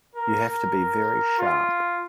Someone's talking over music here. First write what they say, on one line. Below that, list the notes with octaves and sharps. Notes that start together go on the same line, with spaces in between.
You have to be very sharp.
A#4
A#4
F4